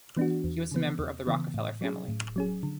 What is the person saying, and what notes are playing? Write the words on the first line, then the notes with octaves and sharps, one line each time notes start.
He was a member of the Rockefeller family.
E3 B3 D4 F#4
E2
C#3 E3 B3
E2
C#3 E3 B3
A2
F#3 C#4 G#4
A2
F#3 C#4 G#4
D3